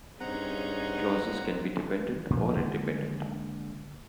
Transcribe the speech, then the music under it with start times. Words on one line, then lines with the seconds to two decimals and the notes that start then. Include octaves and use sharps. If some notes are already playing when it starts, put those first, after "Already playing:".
Clauses can be dependent or independent.
0.20 G2 C4 C#4 D#4 G#4 F#5 A#5
2.30 A#2 F3
2.57 D3 G#3 A#3